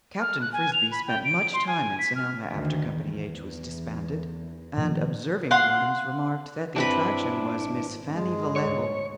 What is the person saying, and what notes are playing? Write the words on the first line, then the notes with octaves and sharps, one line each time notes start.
Captain Frisbie spent much time in Sonoma after Company H was disbanded, and observing ones remarked that the attraction was Miss Fannie Vallejo.
F6
F#6
G#5
F7
B5
G5
D7
C6
G#5
B6
F6
D2 D#3
E2
A#2 D#3 F3
F5 F#5 C6
G2 C4 D4 E4 B4 B5
G#1
G2 G#3
D2 G#2 C#5